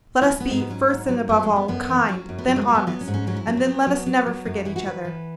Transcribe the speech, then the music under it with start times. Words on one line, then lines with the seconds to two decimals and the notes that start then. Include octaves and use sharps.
Let us be, first and above all, kind, then honest and then let us never forget each other!
0.22 E4
0.31 C#4
0.40 B3
0.50 G#2 G#3
0.60 B3
0.70 F#3 C#4
0.90 G#2
1.09 F#3
1.29 F#2 B3
1.43 G#3
1.49 F#2
1.56 B3
1.68 F#2 B3
1.89 E3
2.08 F#3 C#4
2.29 F#2
2.38 B3
2.48 F#3 C#4
2.56 G#3
2.61 B3
2.68 F#3
2.75 B3
2.87 F#3 B3
3.01 C#4
3.08 G#2
3.14 C#4
3.27 F#3 C#4
3.37 E4
3.47 F#3 C#4
3.57 B3
3.67 F#3
3.86 F#3
4.06 F#3
4.26 F#3
4.45 F#2 B3
4.65 E3 E4
4.76 F#4
4.86 E3 B4
5.05 E3